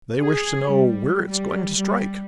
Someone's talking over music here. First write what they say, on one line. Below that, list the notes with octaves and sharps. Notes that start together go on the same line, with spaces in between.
They wish to know where it is going to strike.
G#4
G3
G3
G3